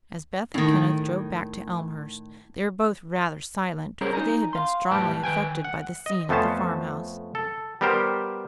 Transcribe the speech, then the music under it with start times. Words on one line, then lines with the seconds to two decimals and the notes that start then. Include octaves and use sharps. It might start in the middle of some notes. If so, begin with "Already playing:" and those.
As Beth and Kenneth drove back to Elmhurst they were both rather silent, for they had been strongly affected by the scene at the farm-house.
0.54 A2 D#3
4.01 G3 C#4 G#4 A#4 C5 C#5
4.13 D#4 G#5 A#5
4.53 F5 C6
4.91 F2 A2 G3 B4 G5 A5
5.24 D#3 B4 G5 G#5
5.65 F#5
6.06 D#5
6.29 F2 A3 B3 C#4 C5 A5
7.35 A4
7.81 G3 B3 G4 A#4 C5